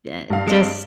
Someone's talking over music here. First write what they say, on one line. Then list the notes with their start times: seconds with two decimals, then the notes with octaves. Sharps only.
e eh just
0.30 G2 F5
0.48 G#3 C4 G4